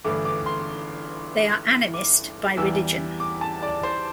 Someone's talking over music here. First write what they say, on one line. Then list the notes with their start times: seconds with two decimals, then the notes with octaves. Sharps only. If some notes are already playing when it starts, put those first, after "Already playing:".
They are Animist by religion.
0.04 G1 G2 E3 A3 D6
0.25 D6
0.46 C6
1.94 D6
2.57 E2 E3 G3 E6
3.20 D6
3.41 A5
3.63 D5
3.83 C5